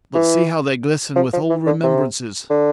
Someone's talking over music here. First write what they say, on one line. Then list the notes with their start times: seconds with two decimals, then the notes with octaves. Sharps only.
But see how they glisten with old remembrances!
0.15 E3
1.16 F3
1.33 F3
1.50 E3
1.66 D3
1.83 C3
2.50 D3